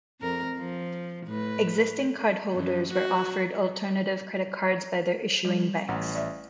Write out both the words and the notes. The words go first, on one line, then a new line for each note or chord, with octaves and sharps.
Existing cardholders were offered alternative credit cards by their issuing banks.
F2 A#4
F3
A2 B4
F#2
F#4
G3
A1 F#5 A#5
D5 E5